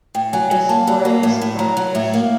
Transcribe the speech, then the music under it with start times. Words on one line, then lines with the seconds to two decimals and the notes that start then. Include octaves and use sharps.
Its water is brackish.
0.15 A2 G5
0.33 F#3 G#5
0.51 F#3 G#5
0.69 A#3 A5
0.87 F#3
1.05 A#3
1.23 A2
1.41 A2
1.59 F#3 A#5
1.77 F#3
1.95 A2 E5
2.14 A#3